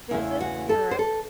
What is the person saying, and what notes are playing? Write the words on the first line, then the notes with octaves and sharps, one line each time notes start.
visit Europe.
E2 C#3 E3 A3 E4
F#4
A4
C5
A4